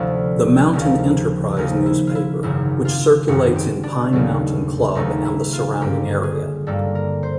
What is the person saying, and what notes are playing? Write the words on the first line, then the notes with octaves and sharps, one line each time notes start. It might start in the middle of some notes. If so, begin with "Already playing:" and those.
The "Mountain Enterprise" newspaper, which circulates in Pine Mountain Club and the surrounding area.
Already playing: D2 C3 F3 A3 E4
D#2 C#3 F3 A#3
D#2 C#3 F3 A#3 D#4
E4
F4
E4
G#1 F#2 C#3 E4
F4
G#1 F#2 C#3 F#4
G4
D4
D#2 C#3 F#3 A3
D#2 C#3 F#3 A3 D#4
E4
F4
G2 D3 G3 A#3 G4
G#4
G2 D3 G3 A#3 A4
A#4
C5